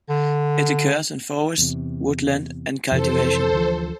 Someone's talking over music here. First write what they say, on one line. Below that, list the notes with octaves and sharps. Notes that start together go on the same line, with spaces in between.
It occurs in forest, woodland and cultivation.
D3
E2 C3
F2 C3 E3 A4 C5
D2 E3 F3